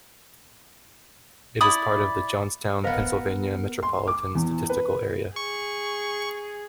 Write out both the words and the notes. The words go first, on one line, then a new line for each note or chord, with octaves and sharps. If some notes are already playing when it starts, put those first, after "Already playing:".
It is part of the Johnstown, Pennsylvania, Metropolitan Statistical Area.
E4 D5 B5 D#6
B3 A#4 C5 D#5 F5
C6
D6
E2
B4
G#4 C#6